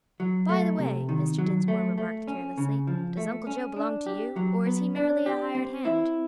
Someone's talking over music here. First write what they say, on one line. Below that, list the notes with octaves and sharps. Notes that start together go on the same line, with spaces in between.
"By the way," Mr. Dinsmore remarked carelessly, "does Uncle Joe belong to you? or is he merely a hired hand?"
F#3
A3
C3
D#3
F#3
A3
A3
C#4
C#3
F3
A3
C#4
D4
G4
F#3
B3
D4
G4
C4
E4